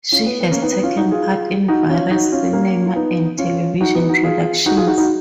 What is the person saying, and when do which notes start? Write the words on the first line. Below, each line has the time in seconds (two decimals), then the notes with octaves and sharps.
She has taken part in various cinema and television productions.
0.12 C#4 F4
0.26 B3
0.40 B3
0.51 A#3 C#4
0.62 B3 D#4
0.72 B3 D#4
0.83 C#4 F4
0.97 D#4 F#4
1.11 F4 G#4
1.68 D#4 F#4
1.89 C#4 F4
2.10 D#4 F#4
2.32 C#4 F4
2.53 A#3 C#4
2.86 F4
2.95 B3 D#4
3.38 C#4 F4
3.81 D#4 F#4
3.95 B3 D#4
4.09 D#4 F#4
4.23 F4 G#4
4.66 D#4 F#4
4.77 F4 G#4
4.87 D#4 F#4
4.98 D#4 F#4